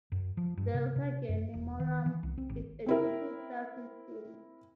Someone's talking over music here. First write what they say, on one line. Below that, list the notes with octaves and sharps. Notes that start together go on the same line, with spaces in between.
Delta Geminorum is a triple star system.
F#2
F3
G2
C3
C3
F#2
E1
D#3
E3
C2
C4
G#1
C4 E4 A#4